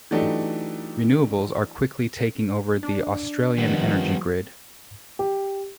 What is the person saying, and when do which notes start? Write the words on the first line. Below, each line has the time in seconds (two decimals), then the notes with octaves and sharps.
Renewables are quickly taking over the Australian energy grid.
0.11 E3 F#3 A3 D4 D#4 G4
2.83 D4
3.58 D#3 F3 G3 B3
5.19 G4